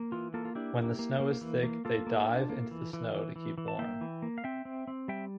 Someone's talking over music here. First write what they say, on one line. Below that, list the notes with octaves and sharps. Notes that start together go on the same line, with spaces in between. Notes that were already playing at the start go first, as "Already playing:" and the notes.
When the snow is thick they "dive" into the snow to keep warm.
Already playing: A#3
E3 F4
A#3 F4 A4
F4
D4 E4 G4
A#3
A#3
A#3
E3
A#3
A#3 F4 A4
A#3
D4
A#3
E3
E3
E3
E3
E3
A5
A#3 E5 G5
E3
A#3
F5
C4 E5 G5
C4
C4
G3 E5 G5